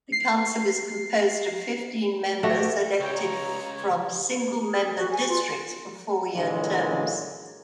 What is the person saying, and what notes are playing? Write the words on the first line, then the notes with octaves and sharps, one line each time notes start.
The council is composed of fifteen members elected from single-member districts for four-year terms.
C7
A3 F#4 G4
C#2 C#5 G5
A#5
G#6
G#4
F#4
G#5
F4
A#2 D3 E3 F#3 G#3 A#3